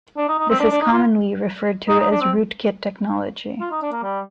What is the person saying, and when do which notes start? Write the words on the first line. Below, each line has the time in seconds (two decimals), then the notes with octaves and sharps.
This is commonly referred to as rootkit technology.
0.17 D4
0.29 D#4
0.39 D#4
0.50 C4
0.60 D4
0.71 D4
0.81 D#4
0.92 F4
1.88 D#4
2.00 D#4
2.11 D4
2.21 C4
3.60 F4
3.72 D#4
3.82 D4
3.92 A#3
4.03 G3